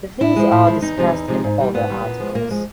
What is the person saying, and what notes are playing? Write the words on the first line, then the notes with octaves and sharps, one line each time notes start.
These are discussed in other articles.
A2 E4
F3 G#3
A2
F3 G#3
E2 D#4
C3 F3 G#3
E2
C3 F3 G#3
G#2
E3 G3
G#2 B3
E3 G3
A#2
F3 G#3
A#2 A#3
F3 G#3